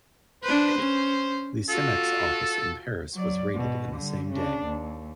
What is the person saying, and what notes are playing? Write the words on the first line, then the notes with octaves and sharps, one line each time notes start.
The Simex office in Paris was raided in the same day.
D4 B4 C5
C#4
F4 F#4 A4
F#3 D5
G#2 B2
D3 G3
C#3 D4
D#2